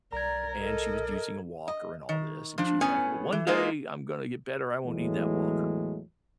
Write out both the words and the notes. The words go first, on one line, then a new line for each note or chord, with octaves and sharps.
and she was using a walker and all this, and she's like, "Well, one day I'm gonna get better, I won't need that walker."
B1 A#4 D5 A#5 G#6
A4 A#4 D#5
D#5
D#3
F3 D4
A2 B3 C#4 G#5
E3
G#3 A#3 D#4 F4
E2 A2 E3 F#3 G#3 A3